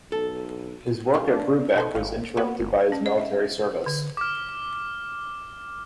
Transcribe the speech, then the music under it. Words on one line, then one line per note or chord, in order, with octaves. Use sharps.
His work at Brubeck was interrupted by his military service.
B1 A4
C#3 G3 F4
D4
B2 D#4 A4 C5
G#1 F5
A#3 B3 F#4 B4
G1
C#4
D#5
E5
D3
D6 F6